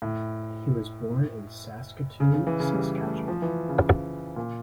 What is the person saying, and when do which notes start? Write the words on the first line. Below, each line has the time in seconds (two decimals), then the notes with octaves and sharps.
He was born in Saskatoon, Saskatchewan.
0.02 A2
2.20 C#3
2.34 C#3
2.47 E3
2.60 C#3
2.73 G3
3.01 A3
3.28 F3
3.42 E3
3.69 C#3
4.36 A#2